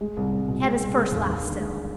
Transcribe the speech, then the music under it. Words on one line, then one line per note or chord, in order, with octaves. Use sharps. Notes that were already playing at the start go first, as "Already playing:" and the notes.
He had his first laugh still.
G#3
C2
C2
B2
G#3
C2
G#3
D#2
D#2
D3
G#3